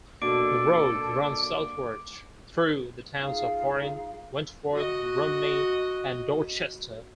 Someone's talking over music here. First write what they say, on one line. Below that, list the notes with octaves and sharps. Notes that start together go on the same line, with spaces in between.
The road runs southward through the towns of Warren, Wentworth, Rumney, and Dorchester.
B2 A#3 D4 A4 D6 D7
D#4 F4 G#4 F5
F#4 D#5